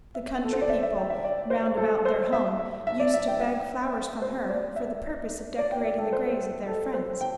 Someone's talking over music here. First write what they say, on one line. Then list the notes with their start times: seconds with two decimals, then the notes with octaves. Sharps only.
The country people round about their home used to beg flowers from her for the purpose of decorating the graves of their friends.
0.15 E5
0.44 A4
0.53 C5
0.61 D5
0.69 E5
0.83 E5
0.97 G5
1.10 E5
1.24 D5
1.50 C5
1.77 A4
2.05 C5
2.33 E5
2.59 E5
2.87 E5
3.00 D5
3.14 E5
3.28 G5
3.41 E5
4.22 C5
4.49 D5
4.76 E5
5.58 D5
5.72 G5
5.81 D5
5.84 E5
5.98 A4
6.13 C5
6.66 A4
6.93 C5
7.21 G5